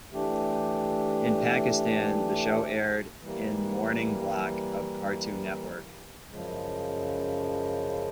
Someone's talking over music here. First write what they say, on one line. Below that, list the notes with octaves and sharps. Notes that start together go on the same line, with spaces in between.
In Pakistan, the show aired in morning block of Cartoon Network.
E3 A3 D4 G4
E3 G3 A#3
F#2 C#3 F3 G#3